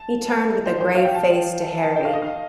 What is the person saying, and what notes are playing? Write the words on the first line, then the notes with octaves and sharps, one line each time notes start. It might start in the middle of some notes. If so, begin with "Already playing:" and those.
He turned with a grave face to Harry.
Already playing: A5
C5
C5
F5
G5
A5
A5
G5
F5
D#5
F5